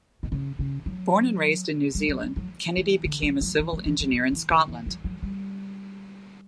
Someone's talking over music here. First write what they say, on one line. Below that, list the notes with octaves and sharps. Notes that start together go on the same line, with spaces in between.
Born and raised in New Zealand, Kennedy became a civil engineer in Scotland.
B2
C#3
C#3
F#3
G3
F#3
G3
F#3
E3
D3
F#3
F#3
E3
F#3
E3
F#3
F#3
E3
D3
E3
F#3
F#3
G3